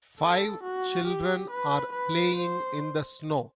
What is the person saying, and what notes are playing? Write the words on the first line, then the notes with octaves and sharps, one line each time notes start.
Five children are playing in the snow.
A4
F#4
G4
B4
B4
C5